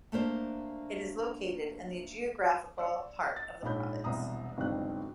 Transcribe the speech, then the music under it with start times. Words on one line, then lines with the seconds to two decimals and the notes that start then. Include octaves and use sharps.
It is located in the geographical heart of the province.
0.12 A3 A#3 D4 C5
2.78 D5 E6 C#7
3.36 A6
3.62 A#1 G#2 C#5 B5 G6
4.04 E1 C2 B2 A#5 D#6
4.57 G1 C#2 D#3 F#3 C4 F#6